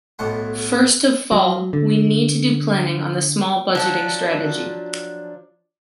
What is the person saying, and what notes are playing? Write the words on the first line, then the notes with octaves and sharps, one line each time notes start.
First of fall, we need to do planning on the small budgeting strategy.
B1 A2 F#5 C6
F#3
D3
F3 F#3 D4